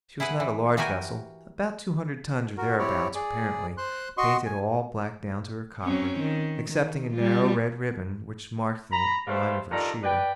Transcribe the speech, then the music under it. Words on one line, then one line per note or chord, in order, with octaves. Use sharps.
She was not a large vessel; about two hundred tons or thereabouts, apparently; painted all black down to her copper, excepting a narrow red ribbon which marked the line of her sheer.
E4 G#4 B4 F#5
E3
E3 F#4 G4 A#4 G#5
F#4 A#4
C4 E4 G4 C#5 D5
G#4 D5
C5 C6 F#6
F#4 D#5 C6 C#6
G#5
F#3 C4 C#4
D#3
D#3
G3 F4
A#5 B5
G3 A3 G4 B4 C5 F5
G2 D#3 F4 A4 D5 A#5
B4 D5 G5